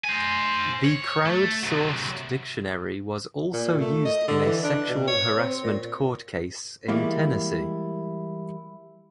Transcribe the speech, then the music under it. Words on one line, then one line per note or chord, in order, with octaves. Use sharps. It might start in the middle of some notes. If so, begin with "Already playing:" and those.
The crowd-sourced dictionary was also used in a sexual harassment court case in Tennessee.
C5 G#5
C#5
A3
C3 F#3
A#2
A3
D#5
D3
E3
D4
B2
C#5
C4
A#2
E3 G3 G#3 A#3 E4